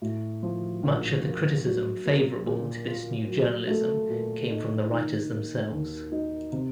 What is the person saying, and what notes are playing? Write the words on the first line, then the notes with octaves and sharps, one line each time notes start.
Much of the criticism favorable to this New Journalism came from the writers themselves.
A2
F3
A#1
A#3
F#3
A#3
A#2
F4
F#3
A3
A#2
D#4
D#3
A#3
D#2
D#4
C3